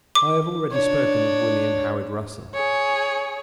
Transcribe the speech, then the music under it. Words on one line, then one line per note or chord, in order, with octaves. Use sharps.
I have already spoken of William Howard Russell.
D6
D4 C#5
G#4 C#5